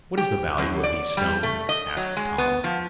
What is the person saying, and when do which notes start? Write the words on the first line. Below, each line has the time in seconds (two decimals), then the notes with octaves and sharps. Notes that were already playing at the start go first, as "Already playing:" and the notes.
"What is the value of these stones?" asked Tom.
0.18 G4
0.58 F#2
0.84 D5
1.17 G3
1.43 A3
1.69 D#5
1.97 F#3
2.17 G#3
2.38 B3
2.64 F3